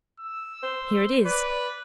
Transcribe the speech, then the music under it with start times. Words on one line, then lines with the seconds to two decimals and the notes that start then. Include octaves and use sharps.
"Here it is."
0.20 E6
0.63 C5
1.25 B4 D5